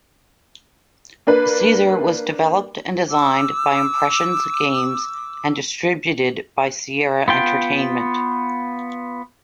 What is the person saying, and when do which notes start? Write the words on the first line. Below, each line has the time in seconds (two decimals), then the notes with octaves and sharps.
"Caesar" was developed and designed by Impressions Games and distributed by Sierra Entertainment.
1.27 A#3 D4 B4
3.10 D6 E6
7.28 B3 F4 G5